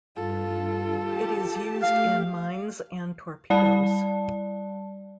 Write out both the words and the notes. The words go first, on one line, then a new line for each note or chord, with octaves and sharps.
It is used in mines and torpedoes.
G2 F4 A4
G4 A5
A3 G4 F5
G3 D5 A5